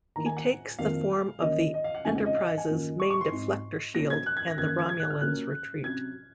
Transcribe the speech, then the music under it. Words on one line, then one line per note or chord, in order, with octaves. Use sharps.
He takes the form of the "Enterprise"s main deflector shield and the Romulans retreat.
D#3 A#3 D#4 A#5
G#5
F#5
F2 D#3 F#3 A#3 F5
D#3 F#3 A#3 C#4 D#5
D#5
F5
F#5
F2 C#3 G#3 C4 D#4 G#5
F#5
D#5
F5
F#5
G#5
F#2 D#3 A#3 F4
C#6
C#6
C6
G#2 F#3 C4 D#4
A#2 F#3 C#4 A#6
G#6
F#6
G#6
A#6
F#2 D#3 A#3 G#6
G#6
G#6
G#6
F#6
F6
A#2 F#3 A#3 C#4 F#6
C3 F#3 C#4 G#6